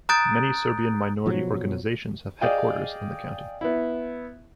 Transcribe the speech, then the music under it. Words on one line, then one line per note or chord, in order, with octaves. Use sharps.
Many Serbian minority organizations have headquarters in the county.
A#5 D#6 F#6 G6 A6 D7
B2 F3 F#3
G#4 D5 D#5 F5 G5
B3 E4